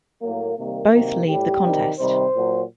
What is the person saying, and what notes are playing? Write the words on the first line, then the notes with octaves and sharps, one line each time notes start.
Both leave the contest.
A2 F#3 A#3
C3 D#3 G3 A#3
C3 D#3 F#3 A#3
A2 G3 G4
C3 D#3 G3
C3 D#3 G3 C5
A#2 F#3